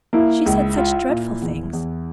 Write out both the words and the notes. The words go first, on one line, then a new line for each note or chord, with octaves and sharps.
"She said such dreadful things."
A#3 E4
C#2
F4
A#2
E2
E2